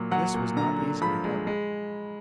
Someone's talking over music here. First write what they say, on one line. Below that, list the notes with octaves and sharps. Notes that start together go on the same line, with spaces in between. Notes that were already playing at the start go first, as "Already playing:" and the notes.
This was not easily done.
Already playing: A#2 F#3
F#3 F#5
A#2
D3 A#5
D3
F3 B5
G#3
G#3